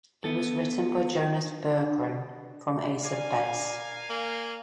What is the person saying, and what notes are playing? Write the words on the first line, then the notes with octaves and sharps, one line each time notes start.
It was written by Jonas Berggren from Ace of Base.
B3 A4
A#4 D5 F5 G#5
A#3